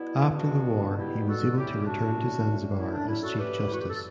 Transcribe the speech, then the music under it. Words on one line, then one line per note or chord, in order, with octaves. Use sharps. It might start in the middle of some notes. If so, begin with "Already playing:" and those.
After the war he was able to return to Zanzibar as Chief Justice.
Already playing: B2 G3 B3 E4
D4 F#4
E4 G4
F#4 A4
A2 G3 C#4 E4 G4
D4 F#4
E4
D4
E4
F#4 A4
G4 B4
E4
F#4
G4
A4